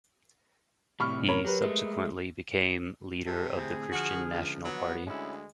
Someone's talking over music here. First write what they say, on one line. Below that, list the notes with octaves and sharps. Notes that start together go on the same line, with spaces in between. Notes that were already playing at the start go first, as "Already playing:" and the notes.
He subsequently became leader of the Christian National Party.
A2 C3 G3 B5 C#6 F6
A#4 C#5 B5
F#3 G4 A#4 B4
G#3 A3
C3 A4
D2 A2 C4 G#4
D3 F3 F#4
C#2
F#3 B3
D2 G#3 C#4 E4